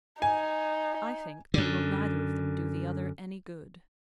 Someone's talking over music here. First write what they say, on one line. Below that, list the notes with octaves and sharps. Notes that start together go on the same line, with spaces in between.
"I think they will neither of them do the other any good."
D#4 G#5
F#2 D3